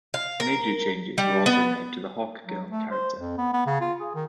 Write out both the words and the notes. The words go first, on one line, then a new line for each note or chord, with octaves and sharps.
Major changes were also made to the Hawkgirl character.
F5
A#4
G3
B3
F#3
A3
C5
F2
B3
B3
C#3
F4
G#4
D#3